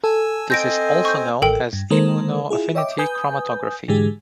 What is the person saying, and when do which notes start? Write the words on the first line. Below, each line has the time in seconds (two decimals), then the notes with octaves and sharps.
This is also known as Immunoaffinity Chromatography.
0.04 A4 G#5 E6
0.50 C4 C5 D#5 G#5 G6 A#6 D7
1.05 C#6 G6
1.42 A1 A4 A#4 G5
1.73 G2
1.90 D#3 G#3 A#3 A4 A#4 C5
2.50 E4 F4 G#4
2.75 C#5 D#5 E5 G5 D6
2.98 B4 G#5 D#6 G6
3.88 G#2 D3 E3 G#3 G4 G#4